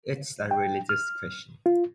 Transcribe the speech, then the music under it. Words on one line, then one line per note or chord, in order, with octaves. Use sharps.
It's a religious question.
G5
F6
F4